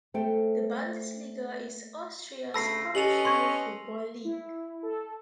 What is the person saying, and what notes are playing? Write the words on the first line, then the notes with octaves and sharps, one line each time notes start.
The Bundesliga is Austria's professional football league.
A3 A4 C5 G5
D2 C#3 A3 A5 B5 E6 A#6 C7
C#4 G4 A4 B4 D#5 F7 F#7
C6 C#6 G#6
E4
A4